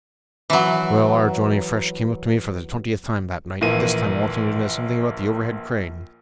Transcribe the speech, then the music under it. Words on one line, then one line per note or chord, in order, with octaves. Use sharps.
Well, our Johnnie Fresh came up to me for the twentieth time that night, this time wanting to know something about the overhead crane.
E3 F#3
A#1 A#2 E3 A#3 D#7